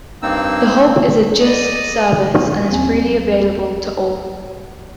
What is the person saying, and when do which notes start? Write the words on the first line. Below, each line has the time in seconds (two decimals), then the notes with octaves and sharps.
The Hub is a Jisc service, and is freely available to all.
0.22 G2 A#3 C4 D#4 E6
1.41 D5 D#5
2.70 D#2 F#3 A#3 C4 G#5